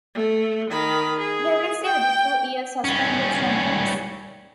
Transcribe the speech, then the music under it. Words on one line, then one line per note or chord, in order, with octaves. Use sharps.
He received a two-year suspended sentence.
A3
D#3 B5
G#4
G5
G3 C#4